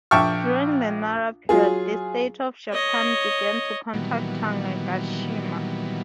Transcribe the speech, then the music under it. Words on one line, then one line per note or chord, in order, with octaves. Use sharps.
During the Nara period, the state of Japan began to contact Tanegashima.
A#1 E5 G5 A5 C#6 F6
F#3 F4 G#4
C#5 D#5
A#2 D#3 E3 F#3 G3 B3